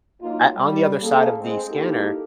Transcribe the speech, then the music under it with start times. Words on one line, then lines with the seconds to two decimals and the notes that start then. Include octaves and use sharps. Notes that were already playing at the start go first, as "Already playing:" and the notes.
at on the other side of the scanner,
0.21 F#3 A#3 D#4 F4
0.55 G3
1.02 C#3 A#3 A4
1.41 G#3 C4
1.70 A#3 D#4 E4 G4 A4 A#4